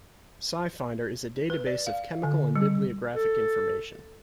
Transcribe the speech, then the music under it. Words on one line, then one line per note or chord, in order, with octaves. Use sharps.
SciFinder is a database of chemical and bibliographic information.
B4
D5
F5
D3
G3
A4